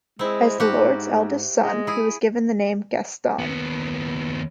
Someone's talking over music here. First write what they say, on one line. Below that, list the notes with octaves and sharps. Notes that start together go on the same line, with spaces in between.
As the lord's eldest son, he was given the name, Gaston.
G#3 C4 E4
G#2 F#4 G4
G#3
E4 G#4
D#2 B3